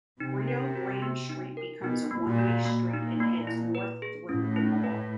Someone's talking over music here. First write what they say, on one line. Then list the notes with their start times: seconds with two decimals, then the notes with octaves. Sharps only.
Rio Grande Street becomes a one-way street and heads north through the mall.
0.20 C3 D#4
0.48 A#4
0.75 F#4
1.02 B3
1.29 D#4
1.57 A#4
1.84 B2 D#4
2.11 A#3
2.25 A#2
2.39 F#4
2.65 A#2 A#3
2.94 D#4
3.20 A#3
3.47 E4
3.75 B4
4.02 G#4
4.29 A2 C#4
4.56 E4
4.84 B4